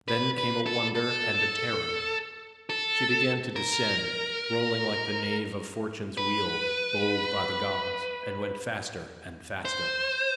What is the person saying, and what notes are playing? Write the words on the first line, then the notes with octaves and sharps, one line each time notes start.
Then came a wonder and a terror: she began to descend rolling like the nave of Fortune's wheel bowled by the gods, and went faster and faster.
B4
B4
A4
A4
A4
A#4
B4
C5